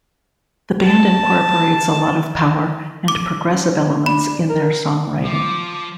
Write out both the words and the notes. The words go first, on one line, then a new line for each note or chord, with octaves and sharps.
The band incorporates a lot of power and progressive elements in their songwriting.
A5
D6
C#4
D4 B5
A#4
F3 D6